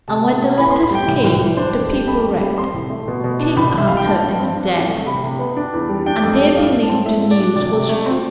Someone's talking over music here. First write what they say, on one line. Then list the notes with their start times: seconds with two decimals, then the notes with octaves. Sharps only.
And when the letters came the people read, "King Arthur is dead," and they believed the news was true.
0.08 C3 A5
0.25 C3
0.41 B3
0.58 A2 B5
0.70 A2 C6
0.83 B5
0.91 G3 G5
1.08 C2
1.24 C2
1.42 E3
1.57 D4 C5
1.74 F2
1.91 G3
2.07 F2 B5
2.24 F2
2.41 G3
2.57 C4 C6
2.74 C2
2.90 A3
3.08 B2
3.24 B2
3.40 D4
3.57 C2 B5
3.74 C2 E5
3.88 G3 F5
3.97 G5
4.07 G2 A5
4.24 G2
4.40 C4
4.57 D4
4.74 E2
4.89 A3
5.06 C3 B5
5.24 C3
5.39 B3
5.57 D4
5.73 E2
5.89 G3
6.06 D4 G5
6.23 F2
6.40 G3
6.56 A2 F5
6.73 A2
6.82 A5
6.89 C4
7.06 A2 E5
7.23 A2
7.31 D5
7.40 D4
7.56 C3 D5
7.72 C3
7.89 A3
8.06 C4